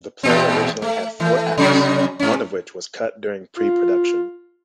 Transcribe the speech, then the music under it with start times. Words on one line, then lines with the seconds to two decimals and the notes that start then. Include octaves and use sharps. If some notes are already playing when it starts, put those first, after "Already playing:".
The play originally had four acts, one of which was cut during pre-production.
0.23 E2 A#2 C4
0.82 A3
1.20 E3 A3
1.57 C3 F#3 C#4
2.19 G#2 C#4
3.57 F4